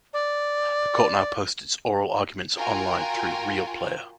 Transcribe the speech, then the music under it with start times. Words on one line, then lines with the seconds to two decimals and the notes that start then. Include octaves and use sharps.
The court now posts its oral arguments online through RealPlayer.
0.14 D5
2.57 F4 F#4 A#4 G5 G#5